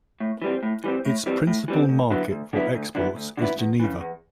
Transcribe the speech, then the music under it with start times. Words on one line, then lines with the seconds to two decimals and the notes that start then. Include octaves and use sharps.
Its principal market for exports is Geneva.
0.20 A2
0.42 E3 G3 C4
0.63 A2
0.84 E3 G3 C4
1.05 A2
1.26 E3 G3 C4
1.47 A2
1.68 E3 G3 C4
1.89 D2
2.10 D3 F#3 B3 E4
2.31 D2
2.53 D3 F#3 B3 E4
2.74 D2
2.95 D3 F#3 B3 E4
3.16 D2
3.37 D3 F#3 B3 E4
3.59 E2
3.80 C#3 E3
4.01 E2